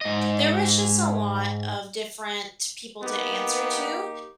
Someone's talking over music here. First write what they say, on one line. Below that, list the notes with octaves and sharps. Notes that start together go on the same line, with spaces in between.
There was just a lot of different people to answer to.
G#2 D#5
A#3 B3 D#4 G4